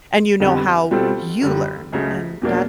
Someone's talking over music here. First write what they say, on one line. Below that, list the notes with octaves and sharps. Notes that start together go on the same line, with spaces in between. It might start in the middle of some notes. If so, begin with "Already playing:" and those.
and you know how you learn, and that
F2 D3 G3 B3 D#4
B2 G3 C4 F4 A4
F#2 D3 G3
C#2 C#3 F#3 A3
E2 B2 F#3 A#3 D4